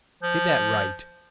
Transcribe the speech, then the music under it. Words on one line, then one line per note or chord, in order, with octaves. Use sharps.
Get that right.
F3